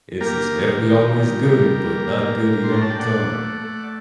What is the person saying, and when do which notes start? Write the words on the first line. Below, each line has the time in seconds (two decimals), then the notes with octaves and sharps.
it's it's definitely always good, but not good eat all the time.
0.21 A#3 G4 A#4
0.51 D#3
0.83 D#3
1.14 D#3
1.44 G3
1.75 A#3
2.07 A#2
2.38 A#2
2.64 C6
2.68 D4 A#5
2.82 A5
2.90 G5
2.99 A#2 D5 F#5
3.30 A3
3.61 A3